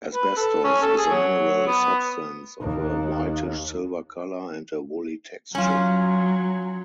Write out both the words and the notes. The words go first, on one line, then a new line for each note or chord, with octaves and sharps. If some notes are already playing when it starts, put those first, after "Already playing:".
Asbestos is a mineral substance of a whitish silver color and a woolly texture.
B4
A4
C#4
A4
G#4
F#3
B3
D#2
F#3 C#4 F4